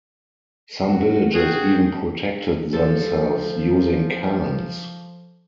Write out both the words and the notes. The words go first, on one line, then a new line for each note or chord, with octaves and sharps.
Some villages even protected themselves using cannons.
F#4
F#4 G#4 G5
F3 A4